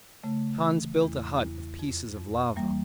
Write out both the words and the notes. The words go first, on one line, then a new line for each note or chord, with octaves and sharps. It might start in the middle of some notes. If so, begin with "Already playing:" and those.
Hans built a hut of pieces of lava.
C#3 A3
E3
E2
E2
F2
F2
E3 G3 A#3